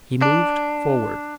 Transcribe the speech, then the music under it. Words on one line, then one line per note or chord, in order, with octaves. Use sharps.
He moved forward.
D4